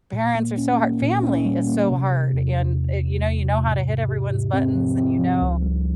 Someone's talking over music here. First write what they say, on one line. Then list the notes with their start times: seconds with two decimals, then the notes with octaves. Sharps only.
Parents are so hard family is so hard and it you know, you know how to hit everyone's buttons and you know,
0.13 A#2
0.35 A#3
0.58 C#4
0.79 A#3
1.02 A#2
1.23 C#4
1.45 G3
1.68 A#3
1.88 C3
2.10 C3
2.33 E2
2.55 E2
2.77 C3
2.99 E2
3.21 E2
3.43 C3
3.65 G#2
3.87 G#2
4.09 G4
4.31 G#2
4.53 C4
4.75 F3
4.97 C4
5.19 F3
5.41 C#2
5.62 G3